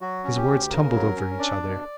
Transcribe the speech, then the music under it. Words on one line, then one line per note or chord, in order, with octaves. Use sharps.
His words tumbled over each other.
F#3 F#4
C#4
G4
D2
C#3 A#4
F#3
C#4
D4 D5
B2